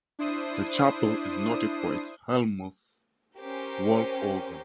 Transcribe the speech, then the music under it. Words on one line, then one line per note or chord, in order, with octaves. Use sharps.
The chapel is noted for its Hellmuth Wolff organ.
D4 E4 C5 D#6 C7
C#4 G4 A#4 C5